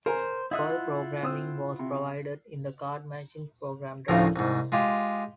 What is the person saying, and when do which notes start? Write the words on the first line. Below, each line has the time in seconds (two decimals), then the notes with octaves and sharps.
Further programming was provided in the card machines program drums.
0.06 A#4 C5 G#5 A#5
0.51 E4 F4 D#5 E5 F#5 D#6
1.23 C4 D#6 E6
1.79 C3
4.08 D2 A2 C#3 F3 A#4
4.36 C2 G#2
4.72 G#3 F4 G4